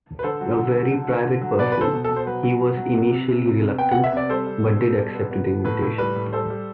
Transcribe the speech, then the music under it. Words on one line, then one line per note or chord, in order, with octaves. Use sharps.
A very private person, he was initially reluctant, but did accept the invitation.
B4
D3 A4 C5
F#3
D3
F#3
D3
D3
D3
F#3
B2 B4 D5
B2 B4
A4 C5
B2
B2 A4
C5
F#3 B4
F#3
B2
F#3
C3
C3
C3
C3
C3
B3 G5
F#5
B3
E5
C3 D5
G3 A4 C5
G3
B2
B2
G3
B3
B3
B3
A2 B4
A2
G3 B4
A2
G3 A4 C5
G3